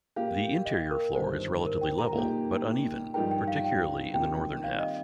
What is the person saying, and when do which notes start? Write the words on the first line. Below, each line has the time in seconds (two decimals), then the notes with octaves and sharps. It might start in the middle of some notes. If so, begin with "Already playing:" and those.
The interior floor is relatively level, but uneven, particularly in the northern half.
0.16 A#2 A#3 G4 F5
0.66 D#5
0.91 A#4
1.15 G1 G2 D#3 C5
1.66 A#4
1.81 G5
1.98 A#5
2.14 A#2 A#3 D#4 G4
3.14 G2 F3 D#4 G4 A#4 G5
3.31 G5
3.48 F5
3.65 G5
4.14 C3 D#3 A#3 F4 G5
4.64 F5
4.80 D#5